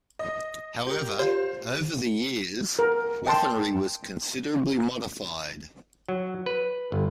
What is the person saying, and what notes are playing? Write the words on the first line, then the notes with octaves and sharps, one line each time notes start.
However, over the years, weaponry was considerably modified.
D#5
G4 A#4
F4 G4 C5
A#4
D#5 G5 A5 C6
F#3
B4
G1